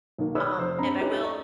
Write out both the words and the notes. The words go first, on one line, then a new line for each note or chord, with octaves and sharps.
um, and I will
B1 D#3 A#3
B4 C#5 D5 D#6 E6
F1 C5
G2 C4 A#5 B5
C#4 D#4 G4 B4 C#5
D5 D#5 A#5 C#6